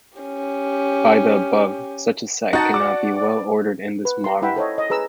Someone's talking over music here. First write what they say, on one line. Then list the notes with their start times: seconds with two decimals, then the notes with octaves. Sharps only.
By the above, such a set cannot be well-ordered in this model.
0.18 C#4 G4
2.53 D#4 F#4 F#5 A5 A6
2.74 D5 D6
4.05 B4
4.24 A#5 C6
4.42 E4 E5 F#5 G5 B5
4.56 A4 C5 C#5 D#5
4.78 D#5
4.90 G#4 B4 A#5 E6